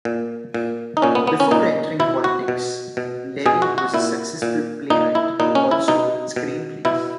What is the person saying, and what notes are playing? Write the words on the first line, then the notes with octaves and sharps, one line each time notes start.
Before entering politics, Levy was a successful playwright who also wrote screenplays.
A#2
A#2
D#4
A#2 C#4
B3
B3
C#4
A#2 D#4
B2 E4
F#4
B2
B2
B2 G#4
F#4
F#4
A#2 E4
A#2
A#2 D#4
E4
A#2 D#4
C#4
E4
B2 D#4
B2
B2 E4